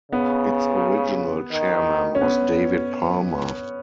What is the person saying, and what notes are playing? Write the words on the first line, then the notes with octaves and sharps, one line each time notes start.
Its original chairman was David Palmer.
C#3 B3
D#3
C#4
B3